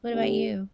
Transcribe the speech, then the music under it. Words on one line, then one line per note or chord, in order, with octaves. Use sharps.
What about you?
D3 B3 D4 G4